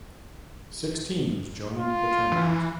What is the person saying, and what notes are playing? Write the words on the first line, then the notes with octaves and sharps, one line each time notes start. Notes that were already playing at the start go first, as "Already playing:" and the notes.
Six teams joined the tournament.
F4
E3